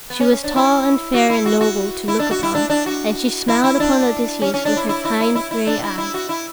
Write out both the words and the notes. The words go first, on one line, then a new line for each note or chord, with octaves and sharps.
She was tall and fair and noble to look upon, and she smiled upon Odysseus with her kind gray eyes.
B3
C#4
C#4
D4
E4
F#4
E4
F#4
F#4
E4
D4
F#4
E4
D4
D4
F#4
E4
E4
D4
C#4
C#4
D4
E4
E4
E4
E4
E4
E4
D4
E4
E4
F#4
E4